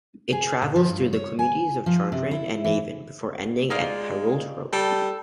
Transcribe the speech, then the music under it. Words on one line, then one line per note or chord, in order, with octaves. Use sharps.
It travels through the communities of Chartrand and Navan before ending at Perreault Road.
G#4
A#2
F3
G2
C#5
G#5
F3
C3
E4
E3
G#3 D#4 F4 D5
G3 A4